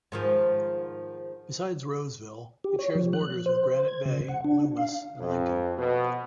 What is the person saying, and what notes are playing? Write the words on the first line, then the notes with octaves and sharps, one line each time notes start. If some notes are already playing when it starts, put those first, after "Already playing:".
Besides Roseville, it shares borders with Granite Bay, Loomis and Lincoln.
G#2 D#3 F3
G4
C#5
F3
F#6
C5
G#6
C#3
F#5
D4
F5
F2
B2